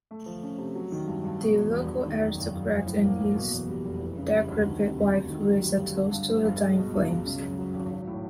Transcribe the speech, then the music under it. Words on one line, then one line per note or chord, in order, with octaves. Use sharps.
The local aristocrat and his decrepit wife raise a toast to the dying flames.
A3
F3
C#4
C3
F#3
D#3
G2
G2
B2
E2
E1
E1
D#3
F#2
F#1
F#1
F3
A2
A#3
B1
B2
E2
G3
F1
E3
C#3
G3
D2
D#3
C3
D2
D2
D#3
F#2
G3
G1
D3
G2
F3
G1
G#3
B2
C#2
C#2
C#3
F#2
F#3
G#1
F#3
A2